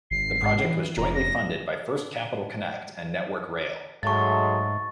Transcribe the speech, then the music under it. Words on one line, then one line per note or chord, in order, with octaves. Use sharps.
The project was jointly funded by First Capital Connect and Network Rail.
G#1 C7
G#2
E3
F1 A#5
A#6
G#2 F#3 G#3 A3 C#6 A6